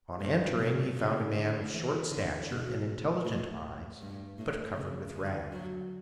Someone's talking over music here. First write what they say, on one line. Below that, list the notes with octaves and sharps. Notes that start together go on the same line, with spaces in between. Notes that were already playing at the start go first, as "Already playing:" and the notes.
On entering he found a man of short stature and intelligent eyes, but covered with rags.
G2
B2
C#3
D3
E3
D3
B2
A2
G2
A2
C#3
D3
F#3